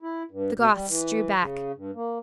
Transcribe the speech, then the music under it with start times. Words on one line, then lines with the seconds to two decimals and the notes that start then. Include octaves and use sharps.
The Goths drew back.
0.02 E4
0.31 G2
0.55 B2
0.71 G3
0.88 E3
1.40 C#3
1.76 G2
1.95 A#3